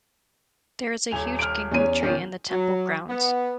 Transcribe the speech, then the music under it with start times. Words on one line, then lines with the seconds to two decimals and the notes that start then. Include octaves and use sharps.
There is a huge Ginkgo tree in the temple grounds.
1.11 D#1 G#5 F7
1.39 F6 D7
1.71 E2 C#4 C#5 D#7
2.01 A#2 D#3 C#4
2.50 F#3
3.09 B3